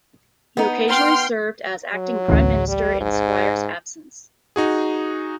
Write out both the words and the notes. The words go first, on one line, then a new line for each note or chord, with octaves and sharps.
He occasionally served as acting Prime Minister in Squire's absence.
B3 D#4
G5 C6 F6
F#3
A1 D2
G3
G#2
D#4 F#4 G#4